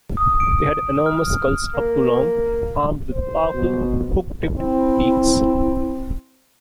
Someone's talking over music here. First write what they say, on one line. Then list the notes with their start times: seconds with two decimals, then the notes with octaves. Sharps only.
They had enormous skulls up to long, armed with powerful, hook-tipped beaks.
0.17 D#6
0.40 D7
1.06 F6
1.74 A#3
3.12 C5
3.54 B2
4.58 C4 E4